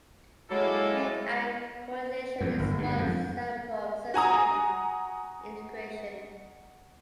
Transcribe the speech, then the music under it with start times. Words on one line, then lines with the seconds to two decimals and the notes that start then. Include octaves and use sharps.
Hand eye coordination is one example of sensory integration.
0.50 F#3 G#3 A#3 E4 A4
2.41 E2
2.59 G1
2.78 G2
2.99 F2
4.14 F#4 G#5 A#5 D#6